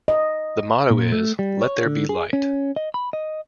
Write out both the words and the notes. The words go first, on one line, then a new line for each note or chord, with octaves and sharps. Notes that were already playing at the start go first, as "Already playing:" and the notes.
The motto is "Let there be Light".
D#5
A#2
A3
G3
C#5
D3
G#4
C#4
D#5
B5
D#5